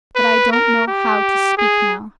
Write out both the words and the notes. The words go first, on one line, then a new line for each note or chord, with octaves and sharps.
But I don't know how to speak now.
B4
A#4
G4
G#4